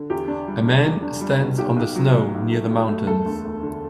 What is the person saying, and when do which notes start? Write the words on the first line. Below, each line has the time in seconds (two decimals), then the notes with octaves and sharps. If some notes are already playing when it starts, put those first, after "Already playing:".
A man stands on the snow near the mountains.
Already playing: D3
0.10 E2 G4
0.28 D4
0.47 G3
0.65 D4
0.84 E2
1.02 D4
1.21 G3
1.40 B2
1.58 B1 G4
1.77 B1
1.96 F#3
2.14 A2
2.33 B1
2.51 A3
2.71 A3
2.89 A3
3.07 E1 A4
3.25 D2
3.45 D2
3.63 D3